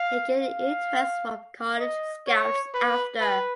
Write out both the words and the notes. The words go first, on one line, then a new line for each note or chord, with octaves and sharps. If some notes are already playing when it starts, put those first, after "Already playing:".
He gained interest from college scouts after.
Already playing: F5
F5
D#5
C#5
B4
B4